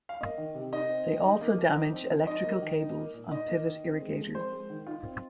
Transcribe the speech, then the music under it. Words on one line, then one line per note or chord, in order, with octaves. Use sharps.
They also damage electrical cables on pivot irrigators.
F5
A#3 D#5
D#3
C3
D#4 D#5
C4
D#3
D#4
A#3
F3
D#4
C4
F3
D#4 D#5
A#3
D#3
D#4
A#3
A#2
D#4 D#5
A#3
D#3
C4
G#3
F3
C4 C5
G#3
D#3
D#4 F4
C4